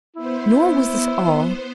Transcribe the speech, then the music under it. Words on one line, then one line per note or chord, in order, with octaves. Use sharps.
Nor was this all.
B3 E4 C5